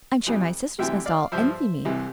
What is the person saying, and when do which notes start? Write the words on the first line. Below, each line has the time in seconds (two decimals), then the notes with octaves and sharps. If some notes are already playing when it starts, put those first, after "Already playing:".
I am sure my sisters must all envy me.
0.26 F2 E3 G3
0.79 D2 C3 E3 G3 E5 G5
1.06 D5 F5
1.32 G2 F3 C5 E5
1.85 C2 C3 E3